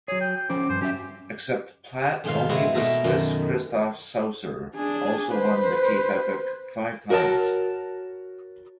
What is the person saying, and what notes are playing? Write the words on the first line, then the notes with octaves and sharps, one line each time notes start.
Except Platt only the Swiss Christoph Sauser also won the Cape Epic five times.
F#3 G#4 C#5
G5
G5
F3 C#4 C5 D6
G2 C5
F#3 C#4 G4 E5
F2 G#2 B2 D#3 F4 F5
G#3 B3 C4 E4 F#4
B2 A3 A#4 E5 A5 A#5
F#2 D#3
D4 G#4
B4 C5
F#4 A#4 C#5 G#5 A5